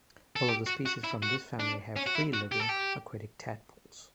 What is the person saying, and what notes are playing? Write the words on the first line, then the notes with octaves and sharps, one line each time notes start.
All of the species from this family have free-living, aquatic tadpoles.
A4
G4
F#4
F#4
E4
F#4
D4
C#4
F#4
E4
F#4
G4
A4
G4